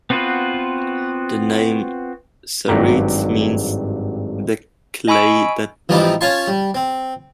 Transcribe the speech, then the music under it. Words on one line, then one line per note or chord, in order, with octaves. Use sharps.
The name "Seretse" means "the clay that binds".
B3 C4 F4 F#4 B4
G#1 G2 F#3 G4 A#5
D#5 G#5 B5 C#6 E6 D7
E3 F3 G3 D#4 D6
C#4 F4 F5 G#5 A5 C6
G3
C4